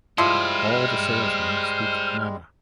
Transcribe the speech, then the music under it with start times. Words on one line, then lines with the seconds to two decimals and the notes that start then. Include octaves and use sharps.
All the salesmen speak Nana.
0.18 F3 G3 G#3 E4 C5 D#5 F6